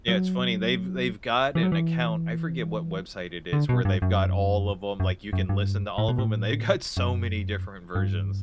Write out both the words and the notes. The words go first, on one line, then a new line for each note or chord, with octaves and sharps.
Yeah. It's funny. They've they've got an account. I forget what website it is where they've got all of ‘em like, you can listen to all of ‘em, and they've got so many different versions.
F#3
E3
F#3
E3
D3
B2
G2
F#2
F#2
F#2
G2
A2
B2
A2
F#2
G2